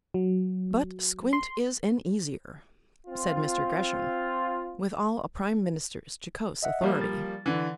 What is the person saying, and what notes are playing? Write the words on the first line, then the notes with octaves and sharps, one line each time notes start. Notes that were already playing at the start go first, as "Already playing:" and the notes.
"But squint is an easier," said Mr. Gresham, with all a prime minister's jocose authority.
F#3
C6
C4 F4
D#5 E5 F#5
F3 G3 A#3
A6
D3 E3